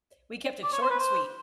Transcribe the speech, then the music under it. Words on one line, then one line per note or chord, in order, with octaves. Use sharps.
"H we kept it short and sweet,"
D5
C#5
C5
B4
C5